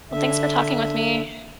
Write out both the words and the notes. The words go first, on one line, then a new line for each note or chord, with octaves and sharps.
Well, thanks for talking with me.
D3 E5